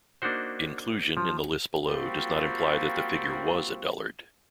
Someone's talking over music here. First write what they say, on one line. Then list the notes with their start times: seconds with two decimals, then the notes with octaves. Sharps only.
Inclusion in the list below does not imply that the figure "was" a dullard.
0.22 A#3 D4 D#4 F#4 C5
1.17 F3
1.88 F3 G3 A#3 C4 F4 F#4